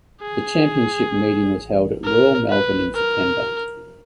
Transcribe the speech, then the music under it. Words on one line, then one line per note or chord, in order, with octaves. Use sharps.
The championship meeting was held at Royal Melbourne in September.
G#4
A#4
B4
A#4